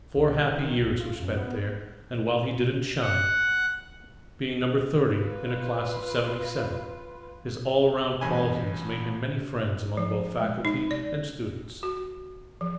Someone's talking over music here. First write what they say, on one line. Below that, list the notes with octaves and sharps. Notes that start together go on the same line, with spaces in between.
Four happy years were spent there--and while he didn't shine, being number thirty in a class of seventy-seven, his all-around qualities made him many friends among both faculty and students.
C2
D#3
B1
F4
F#2
B3
F#5
F4 B4
A1 G2 G#5
F3
G#3
D#4
D5
F#4
F3